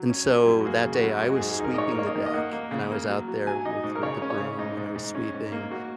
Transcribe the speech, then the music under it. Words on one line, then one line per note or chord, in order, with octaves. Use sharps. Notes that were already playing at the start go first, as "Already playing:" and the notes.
And so that day, I was sweeping the deck, and I was out there with with the broom, and I was sweeping.
Already playing: F#3
C#4
F#3
F#2
F#4
A#3 G#4
C#3
F#4
F#2
G#3 F#4
G#2 G#4
G#4
D#4 A#4
D#5
G#2 C#5
A#4
A#3 C#5
D#5
D#3
D#5
A#3 F#5
A#3
C#3
A#3
F#3
F#3
F#3 G#5
D#4 D#5
G#2
A#4
C#3 C#5
C#4
C#5
C#3
G#2 D#4
G#2
G#2
C#4
G#2
A#3
A#3 F#4